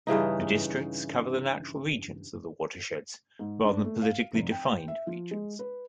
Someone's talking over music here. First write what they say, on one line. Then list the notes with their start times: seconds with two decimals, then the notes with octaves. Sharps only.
The districts cover the natural regions of the watersheds, rather than politically-defined regions.
0.07 G2 C#3 E3 D#4
3.39 G#2
3.65 D4
3.85 A3
4.02 F5
4.35 F1
4.52 G5
4.88 E5
5.07 F3
5.31 G#3
5.59 B4